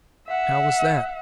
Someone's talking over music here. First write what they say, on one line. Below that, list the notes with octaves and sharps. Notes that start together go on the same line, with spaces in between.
"How was that?"
E5 F#5